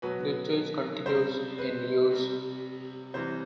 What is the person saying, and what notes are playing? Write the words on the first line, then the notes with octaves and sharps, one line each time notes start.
The church continues in use.
B2 F#3 B4
C3 G3 C5
B4
C3 G3
C3 E3 G3 C5